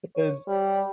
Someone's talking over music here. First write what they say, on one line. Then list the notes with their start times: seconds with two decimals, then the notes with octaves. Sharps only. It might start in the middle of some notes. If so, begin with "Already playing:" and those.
and s
0.15 C#5
0.48 G3